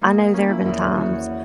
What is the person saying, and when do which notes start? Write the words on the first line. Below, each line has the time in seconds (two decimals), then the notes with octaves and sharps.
I know there have been times
0.01 A#3 D#4
0.18 D#4
0.34 A#3 C#4
0.49 E4
0.65 E2 E4
0.81 C#4
0.97 E2 F#4
1.13 C#5
1.29 B3